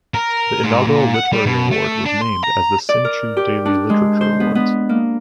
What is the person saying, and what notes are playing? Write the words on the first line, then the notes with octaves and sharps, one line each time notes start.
The inaugural literary award was named as the Sin Chew Daily Literature Awards.
A#4
G#2
A#2
F#5
G3
B2
A3
D4
C6
A#5
D5
A#4
G4
D4
G#3
C5
B3
B3
A#3